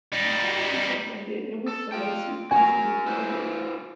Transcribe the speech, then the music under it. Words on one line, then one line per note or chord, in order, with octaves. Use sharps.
Yes, I'm so excited, and it was so nice speaking to you, have a great day.
G3 D#4
A4
F4 G5
F#4 A#4 G#5
E4 B4 C5